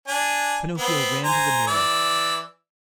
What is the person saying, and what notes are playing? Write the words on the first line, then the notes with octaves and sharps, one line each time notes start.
Pinocchio ran to the mirror.
D4 G#5
B3 C4
C5 G#5 A#5
E3 D5 E6